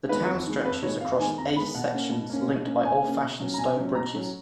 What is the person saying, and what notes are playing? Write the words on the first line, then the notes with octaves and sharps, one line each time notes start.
The town stretches across eight sections, linked by old-fashioned stone bridges.
D#3 G#3 B3 B4
F2
D#3 G#3 B3
F2 B4
D#3 G#3 B3 C#5
F2 F5
D#3 G#3 B3 G#5
F2 A#5
D#3 G#3 B3 B5
B2 F#5
A#3 C#4
B2
A#3 C#4
B2
A#3 C#4
B2 G#5
A#3 C#4
B2
F#3 C#4
A#5
B2 G#5
F#3 C#4
B2 A#5
F#3 C#4